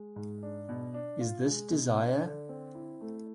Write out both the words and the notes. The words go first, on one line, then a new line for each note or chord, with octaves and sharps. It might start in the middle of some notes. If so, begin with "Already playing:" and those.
Is This Desire?
Already playing: G#3
G#2
D4
B2
D4
F4
G#3
B2
D4
D3
C4
E4
A3